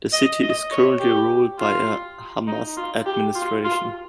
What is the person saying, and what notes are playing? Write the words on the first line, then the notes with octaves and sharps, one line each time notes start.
The city is currently ruled by a Hamas administration.
D#5
D#5
C#5
G4
F4
D#4
F4
G4
F4
F4